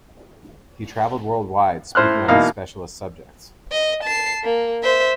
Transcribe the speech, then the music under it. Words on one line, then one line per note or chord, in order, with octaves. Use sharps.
He traveled worldwide, speaking on his specialist subjects.
A2 C5 F6 F#6
E2 B2 A#3 D#4 F5 A#5
D#5
A5 C7
A#3
C5 E5